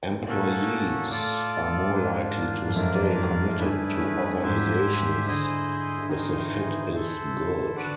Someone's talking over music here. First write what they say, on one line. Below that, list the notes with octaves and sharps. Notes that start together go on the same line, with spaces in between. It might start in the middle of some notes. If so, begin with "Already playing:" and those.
Employees are more likely to stay committed to organizations if the fit is 'good'.
A#2
A2 A#3 C#4 F#4 A4
A2 F4 A4 D5
G2
G#2 A#3 D4 F4
F2
F#2 A#3 D4 F4 A#4 D5
G2 A3 C#4 E4 G#4 B4
G#2 G4 C5 E5 G#5
D3 E4 G#4 C5 D#5
D3
D#3 D#4 G#4 C5 D#5
E3
E3
E4 A4 C5
D3 D4 F#4 B4 D5 F#5